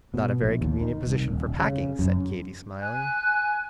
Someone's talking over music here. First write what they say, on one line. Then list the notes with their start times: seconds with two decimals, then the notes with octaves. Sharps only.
"Not a very convenient position for packing," said Katy, smiling.
0.14 B2
0.42 A#1
0.61 D#2
0.81 D#3
1.07 C2
1.31 D#1
1.59 C#3
1.99 F#2
2.80 G#5 F#6